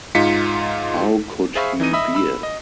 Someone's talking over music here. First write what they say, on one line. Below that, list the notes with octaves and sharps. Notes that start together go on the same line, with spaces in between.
How could he bear!
G#2 D#4 F4 B6 C#7
G#4 C5 E5 F5 B5 C#6
E3 D#4 D#5 D#7
D#5 E5 B5 D#6
B5 E6
D#5